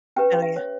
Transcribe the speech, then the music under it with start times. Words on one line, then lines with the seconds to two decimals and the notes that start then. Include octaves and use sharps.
Oh, yeah.
0.16 C#4 G4 B4 G5
0.34 G5
0.42 E5
0.56 C#5